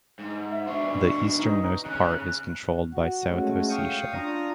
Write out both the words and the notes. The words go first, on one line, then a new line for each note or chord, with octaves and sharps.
The easternmost part is controlled by South Ossetia.
G#2
E5
B2 D4 C#6
D#4
C#3 C#4 F#6
F#4
G#3 A3 C#4 F#4
F5 G5 C#6 D#6
D4 F4 A#5 D#6